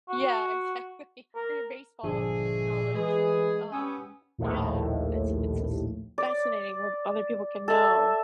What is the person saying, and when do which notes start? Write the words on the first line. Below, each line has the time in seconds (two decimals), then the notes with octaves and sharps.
yeah, exactly, or your baseball knowledge. Um yeah, it's it's just fascinating what other people can know
0.09 F#4
1.35 A#4
2.03 G1 A#2 F3 G#3 A3 D4 G#4
2.94 E3 G#3 G#4
3.72 B3 C#4 G4 G#5 D#6 E6
4.38 A#1 D#2 A2
6.18 D5
7.68 A4 E5